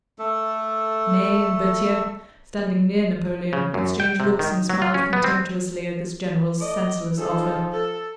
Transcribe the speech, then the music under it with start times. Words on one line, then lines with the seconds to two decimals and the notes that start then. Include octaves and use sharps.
Ney and Berthier, standing near Napoleon, exchanged looks and smiled contemptuously at this general's senseless offer.
0.19 A3 A4
3.53 C#3
3.74 F#2
4.00 G5
4.20 C3
4.39 D#3
4.70 F#3
4.82 F4
4.94 C#4
5.13 B3
5.24 C4
6.60 A3 D5 D#5
7.18 F3 D#4 G#4 A4
7.73 A4